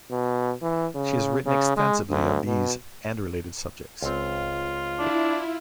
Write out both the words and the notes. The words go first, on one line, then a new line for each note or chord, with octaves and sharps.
She has written extensively on these and related subjects.
B2
E3
C#3
C#3
G#3
D2
B2
C#2 C4 F4
D4 E4